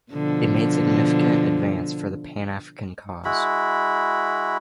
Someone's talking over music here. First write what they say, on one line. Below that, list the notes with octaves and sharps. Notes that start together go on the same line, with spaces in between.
It made significant advance for the Pan-African cause.
B2 D3 F3
G#3 E4 F#4 B5